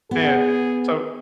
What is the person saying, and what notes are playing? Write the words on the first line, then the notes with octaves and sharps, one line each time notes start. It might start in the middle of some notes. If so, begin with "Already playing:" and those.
And, so
B3 G#4